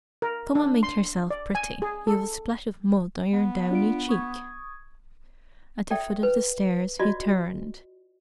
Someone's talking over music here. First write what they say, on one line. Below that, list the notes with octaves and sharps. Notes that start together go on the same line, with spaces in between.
"Come and make yourself pretty: you've a splash of mud on your downy cheek." At the foot of the stairs he turned.
A#4
D4
C6
D5
G#5
G#4
A4
B3
D4 F4 D7
C#6 D#6 G#6
A4 D5 E5 G5
B4
F4 F#4 D5 D#5